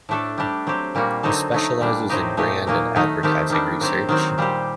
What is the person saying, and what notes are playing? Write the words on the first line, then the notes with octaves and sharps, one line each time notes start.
He specializes in brand and advertising research.
A2 A3 D4 A4
G3 D4 G4
F#3 C4 G4
A#2 G3 A#3 F#4
D3 F#3 C4 D#4 A4
F#3 A3 D#4
A#2 G3 D4
A2 F#3 C4 D#4 G4
A#2 A3 D#4 G4
A#2 F#3 A#3 D#4
D#3 A3 D#4
D#3 A3 C4 G4
D#3 G3 D4
F#3 C4 G4
D#3 F#3 C4
A#2 G3 C4 G4